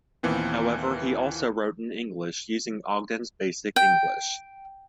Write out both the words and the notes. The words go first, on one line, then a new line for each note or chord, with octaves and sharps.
However he also wrote in English, using Ogden's Basic English.
D#2 A#2 E3 B3 C4
G5